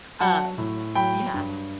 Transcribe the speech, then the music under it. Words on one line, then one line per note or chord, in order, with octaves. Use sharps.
Um, yeah.
F#3 F#5 A5
A2
F#3 G5 B5
G2